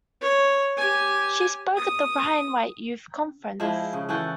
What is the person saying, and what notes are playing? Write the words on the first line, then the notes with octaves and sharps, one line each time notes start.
She spoke at the Ryan White Youth Conference.
C#5
G4 G#5
D#6
F3 G#3 D4 E4
C#3
E3 F#4 A4 G5